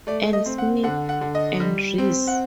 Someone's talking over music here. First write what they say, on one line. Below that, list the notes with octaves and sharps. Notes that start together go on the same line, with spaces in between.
And Smith, and Rees.
A3 D5
D#5
C4
F#5
D3 F#5
F#5
D3
D#5
G3
C4
F#5